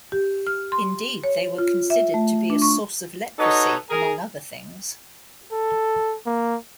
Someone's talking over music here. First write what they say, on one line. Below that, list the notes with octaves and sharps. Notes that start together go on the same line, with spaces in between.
Indeed, they were considered to be a source of leprosy among other things.
G4
F6
C6
C#5
F4
E5
A3
D4
C#6
D#4 F#4 A4 B4 C#5 D#5
G#4 A#4
A4
A#3